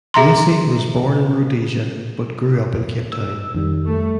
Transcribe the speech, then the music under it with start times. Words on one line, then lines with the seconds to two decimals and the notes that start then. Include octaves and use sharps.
Lacey was born in Rhodesia but grew up in Cape Town.
0.14 G#4 E5 A#5 C6
3.12 E6
3.55 F2 D#3 G3
3.86 A3